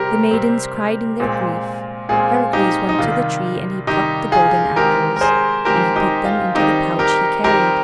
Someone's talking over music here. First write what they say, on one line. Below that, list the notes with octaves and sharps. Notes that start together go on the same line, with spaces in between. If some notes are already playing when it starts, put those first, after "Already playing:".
The maidens cried in their grief; Heracles went to the tree, and he plucked the golden apples and he put them into the pouch he carried.
Already playing: C3 G3 C4 G4 A#4
C3 G3 C4
A#2 G#3 C4
A#2 G#3 C4 F4 G#4
D#4 G4
D#4
C3 D#3 G3 F4
C3 D#3 G3 D#4 G4
F4 G#4
D#3 G#3 C4 G4 A#4
A#4
G#4 C5
D#3 G#3 C4 G4 A#4
D#4 G4
F4
D#3 G3 C4 D#4 G4
G4 A#4
D#3 G3 C4 G4 A#4